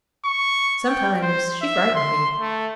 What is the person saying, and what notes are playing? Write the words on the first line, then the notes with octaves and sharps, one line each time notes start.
Sometimes she frightened me.
C#6
G5
C5
E5
C6
A3